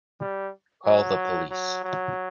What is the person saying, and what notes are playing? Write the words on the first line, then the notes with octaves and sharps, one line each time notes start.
Call the police.
G3
F#3
F#3
F#3